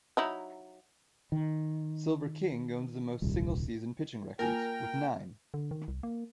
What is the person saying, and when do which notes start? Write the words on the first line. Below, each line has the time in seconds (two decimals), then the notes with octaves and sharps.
Silver King owns the most single-season pitching records with nine.
0.17 F#3 D#4 E4
1.32 D#3
3.22 D#1 C2
4.39 A#3 F4 A#4 G5 G#5
5.54 D3
5.71 D#3
5.88 C2
6.03 A#3